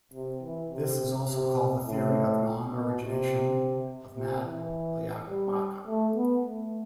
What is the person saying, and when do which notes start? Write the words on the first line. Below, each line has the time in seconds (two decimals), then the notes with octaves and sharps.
This is also called the theory of non-origination of Madhyamaka.
0.14 C3
0.43 E3
0.70 C3
1.29 C3
1.86 A2
2.72 B2
3.01 C3
4.15 C3
4.44 E3
5.29 G3
5.87 A3
6.15 B3
6.45 A3